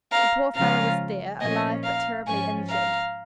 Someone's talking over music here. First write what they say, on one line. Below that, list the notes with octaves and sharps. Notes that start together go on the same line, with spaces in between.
The poor fellow was there, alive but terribly injured.
F5 A#5
C#3 F3 G#3 C#4 F4 F5 A#5
A#2 F3 C#4 D#5 G#5
F5 A#5
G#2 F3 C#4 G#5 C#6
F5 A#5